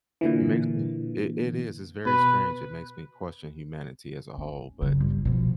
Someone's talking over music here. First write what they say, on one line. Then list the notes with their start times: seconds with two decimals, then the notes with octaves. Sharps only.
it makes me It it is, it's very strange, it makes me question humanity as a whole, but
0.21 A#2 D3 E3
2.06 B2 B4
4.38 C#4
4.82 F#2 C#3
5.00 G1
5.25 B2 F3